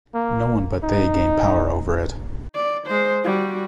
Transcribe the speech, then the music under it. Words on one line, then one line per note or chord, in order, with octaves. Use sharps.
No one but they gained power over it.
A#3
D#4
D5
G#3 C5
G3 F#4